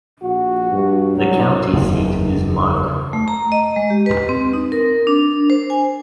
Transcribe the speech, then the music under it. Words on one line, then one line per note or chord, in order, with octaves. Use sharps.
The county seat is Marlin.
A#1 F#4
G2
C2 F#3
F#1 E2 B2 D#3
A3
A#5
D#5
G#3
G4
B4
C4
D#4
A#4
D4
C5
G#5